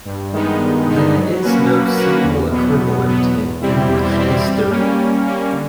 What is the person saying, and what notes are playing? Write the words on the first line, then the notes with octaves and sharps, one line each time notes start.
There is no single equivalent in English history.
G2
D#3 G#3 B3 D#4
G2
D#3 G#3 B3 D#4
F#3
A#3 C#4 F#4 B4
F#3
A#3 C#4 F#4 B4
E2
B2 F#3 B3
E2
B2 F#3 B3
E2
B2 G3 C4 E4
E2
B2 G3 C4 E4
G3
A#3 C#4
G3
A#3 C#4
D3